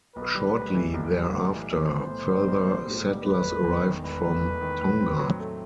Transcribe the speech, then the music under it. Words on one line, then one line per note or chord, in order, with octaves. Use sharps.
Shortly thereafter, further settlers arrived from Tonga.
B1 B4
G3
A2
E3
B1
G3
A2
E3
B1 C5
B3
A2
G3
B1
B3
A2
G3
E1 B4
A3
E2
D#3
E1 B4
A3
E2
D#3
A2
C4
F#3
A3